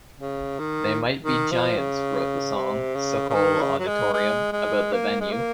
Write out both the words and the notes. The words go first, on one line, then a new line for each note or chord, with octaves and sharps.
They Might Be Giants wrote the song, "Sokol Auditorium," about the venue.
C#3
D#3
D#3
F3
C#3
C3
C#3
C#3
D#3
C#3
F#3
G#3
G#3
G#3
A#3
G#3
A#3